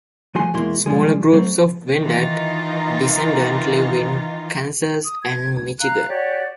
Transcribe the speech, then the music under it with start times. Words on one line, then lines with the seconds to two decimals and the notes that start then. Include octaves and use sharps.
Smaller groups of Wendat descendants live in Kansas and Michigan.
0.35 F3 A3 F#4 G#5 C6
0.54 E2 B2 G#3 A#3 E4 C6
0.86 B2 F3 G3 G#3 G#4
1.32 F#3 A3 C4
2.02 D#3 E3 D#4 F4
5.03 D#6
5.22 G#6
5.80 F5 A#5 F#6
6.09 F#4 G4 C#5 D5